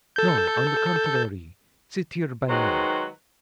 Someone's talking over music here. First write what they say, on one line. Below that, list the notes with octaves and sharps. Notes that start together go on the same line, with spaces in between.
'No, on the contrary, sit here by me.
A4 G6
D#3 F#3 G#3 F#4 B4 C5